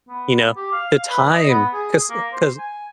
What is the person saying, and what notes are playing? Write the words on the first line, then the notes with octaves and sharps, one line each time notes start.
you know, the time. 'Cause l 'cause,
B3
G4
F5
F5
B4
D#5
B3
G#4
A#3
C5
G#5